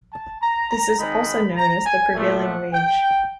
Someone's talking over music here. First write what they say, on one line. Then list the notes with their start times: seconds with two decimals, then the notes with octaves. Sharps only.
This is also known as the prevailing wage.
0.12 A5
0.41 A#5
0.70 A#5
0.99 D#3 G#3 C4 D#4 B5
1.57 A#5
1.85 G#5
2.14 A#2 F3 A3
2.43 F#5
2.73 G5